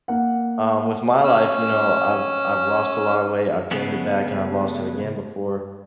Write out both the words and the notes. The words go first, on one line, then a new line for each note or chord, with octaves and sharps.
um, with my life, you know, I've I've lost a lotta weight, I've gained it back, and I've lost it again before,
A#3 F#5
C#4 E6
C#3 G#3 A3 B3 C#4